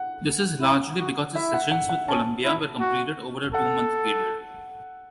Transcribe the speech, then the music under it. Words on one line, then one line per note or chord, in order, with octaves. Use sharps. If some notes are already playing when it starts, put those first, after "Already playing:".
This is largely because his sessions with Columbia were completed over a two-month period.
Already playing: F#5
E4
F#4
E4 E5
F#5
F#5
F#5
C#4 A5
E4
F#4
A4 F#5